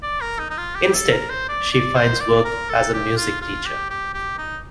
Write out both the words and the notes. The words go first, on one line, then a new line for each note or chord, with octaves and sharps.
Instead, she finds work as a music teacher.
D5
A#4
D#4
D#4
F4
G4
A4
A#4
C5
D5
D5
C5
D5
A#4
A4
G4
F4
F4
G4
G4
G4
D#4